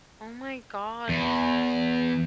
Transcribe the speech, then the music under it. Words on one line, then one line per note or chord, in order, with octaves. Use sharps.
Oh my god,
E2